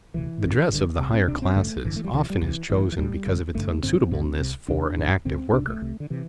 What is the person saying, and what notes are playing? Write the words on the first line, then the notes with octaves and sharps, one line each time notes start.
The dress of the higher classes often is chosen because of its unsuitableness for an active worker.
E1 D2 C3 E3
A1 G2 D3
A1 G2 D3
C2 C3
C4
C2 C3 D4
C4
A1 G2 D3 A3
A1 G2 D3 E3
A3
G3
C2 C3 E3
G3
C2 C3 E3
A1 A2 E3
E3
A1 A2 G3
A1 G2 D3
A1 G2 D3 A3
A1 G2 D3 C4
A1 G2 D3
C2 C3
C2 C3 D4
A1 G2 D3
A1 G2 D3 C4
C2 C3 D4
A3
C2 C3
D3
C3 E3